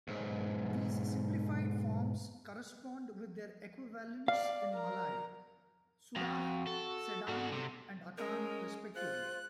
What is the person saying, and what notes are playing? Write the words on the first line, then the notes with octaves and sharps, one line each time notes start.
These simplified forms correspond with their equivalents in Malay "sudah", "sedang", and "akan", respectively.
B1 G#2
D5 F5
A#4
F2 F#4
A4
G#2 D3 F#4
C3
G#3 C#4 A#4
F4 C5 F#6